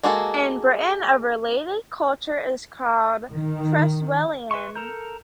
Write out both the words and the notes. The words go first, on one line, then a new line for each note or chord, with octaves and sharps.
In Britain a related culture is called Creswellian.
G#3 A#3 F#4 G#4 A4
D#3
B4 E5 C6 C#6
A4 A#4 A#5 G6